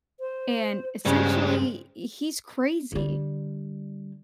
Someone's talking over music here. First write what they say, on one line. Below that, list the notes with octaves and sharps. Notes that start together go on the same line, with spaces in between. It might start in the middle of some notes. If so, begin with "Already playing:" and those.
and essentially, he's crazy,
C5
G2 C#3 G3 G#3 C5
D3 G3